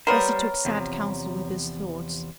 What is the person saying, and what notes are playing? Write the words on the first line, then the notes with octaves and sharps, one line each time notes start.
Thus he took sad council with his thoughts.
G3 B3 A#4 C5 C#5 A#5
E2 C3 F3